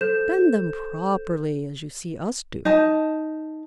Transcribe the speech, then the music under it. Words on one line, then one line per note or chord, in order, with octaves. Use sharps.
Bend them properly, as you see us do.
A4 C5 G6 E7
D#4 A5